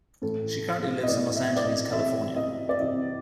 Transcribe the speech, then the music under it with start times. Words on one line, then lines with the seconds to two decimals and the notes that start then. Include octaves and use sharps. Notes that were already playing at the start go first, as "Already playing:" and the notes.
She currently lives in Los Angeles, California.
0.22 A2 E3 A4
1.03 D#5
1.07 A2 E3 D5
1.36 E5
1.57 D5
1.65 D#5
1.93 C3 E3 E5
2.36 D#5
2.69 D5
2.79 C3 E3 D#5